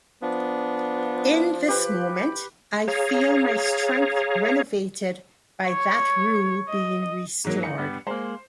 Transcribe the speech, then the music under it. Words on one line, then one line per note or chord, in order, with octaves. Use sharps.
In this moment I feel my strength renovated by that rule being restored.
F3 B3 D4
G4 B4
G#4 C#5 F5 A#5
C#5
D#5
G#2 F#3 A#3
E3 A#3 D#4 C#7
G2 G3 B3
G#3 A#3 C5